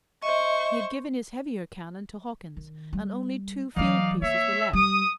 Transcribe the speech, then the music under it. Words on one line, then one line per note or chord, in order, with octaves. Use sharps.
He had given his heavier cannon to Hawkins, and only two field-pieces were left.
C5 D#5 E5 C#6
D#3
G3
E3 F#3 D#4 D5 F5
A#3 C#5 E5
G3 D#6